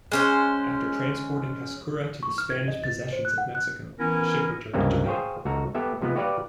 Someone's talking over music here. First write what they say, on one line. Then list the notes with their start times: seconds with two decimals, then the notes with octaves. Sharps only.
After transporting Hasekura to the Spanish possessions of Mexico, the ship returned to Japan.
0.12 G#3 C#4 C5
2.23 C#6
2.38 F6
2.50 G#6
2.68 D#5
2.84 A6
3.13 C5
3.25 F#6
3.38 F#5
3.55 F#6
3.99 E3 B3 C#4 E4 A#4
4.74 C#2 G2 C3 A#3 C4 C#4
5.06 G#4 C5 C#5 F5 G5
5.45 C#2 F#4 A4 A#5
5.75 B3 G4 A4 E5
6.02 C3 F3 G#3 B3
6.16 F#4 G4 B4 D5 F5 F#5